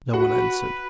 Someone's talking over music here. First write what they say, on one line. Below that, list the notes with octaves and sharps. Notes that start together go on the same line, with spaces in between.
No one answered.
F#4 B4 F#5